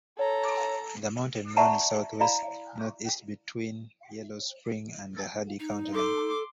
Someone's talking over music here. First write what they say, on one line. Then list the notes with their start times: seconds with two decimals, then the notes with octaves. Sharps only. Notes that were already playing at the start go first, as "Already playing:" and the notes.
The mountain runs southwest northeast between Yellow Spring and the Hardy County line.
0.19 A4 C#5 A#5
1.57 D5 E5 F#5 A5 A#5 C#6
2.20 E4 D5 F5 A#5 B5
5.60 D#4
5.95 A4 C6 D6